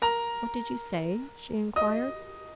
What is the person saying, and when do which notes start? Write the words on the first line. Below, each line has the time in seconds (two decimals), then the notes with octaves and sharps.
"What did you say?" she inquired.
0.02 A#4 A#5
1.76 D#5 D#6